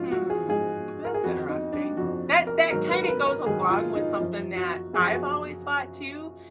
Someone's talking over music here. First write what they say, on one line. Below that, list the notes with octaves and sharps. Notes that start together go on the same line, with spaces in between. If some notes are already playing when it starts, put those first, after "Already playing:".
Mm, that's interesting, that that kinda goes along with something that I've always thought too,
Already playing: G#2 F3 F4 F#4
F#4
G#4
G#2 F3 G#4
A#4
G#4
F2 F3 F#4
D#4
D4
F2 F3 F#4
A#4
G#2 D#3 F#3 A#4
B4
A#4
B4
A#4
G#2 D#3 F#3 G#4
F4
D#4
F#2 F3
F#4
F#2 F3 G#4
F#4